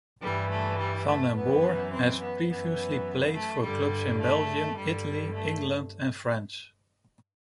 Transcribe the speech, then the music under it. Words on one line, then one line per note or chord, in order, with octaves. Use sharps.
Vanden Borre has previously played for clubs in Belgium, Italy, England and France.
G2 E3 G3
A3
G3
A3
F#2 E3 B3
C4
B3
F#2 E3 B3
A3
G2 D3 G3
A3
G2 D3 G3
A3